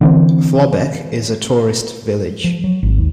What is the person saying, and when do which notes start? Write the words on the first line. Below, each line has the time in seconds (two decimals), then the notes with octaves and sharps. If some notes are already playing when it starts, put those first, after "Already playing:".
Flobecq is a tourist village.
0.01 D3 E3 C4
2.44 F3
2.64 F#3
2.83 G#1
2.98 D#2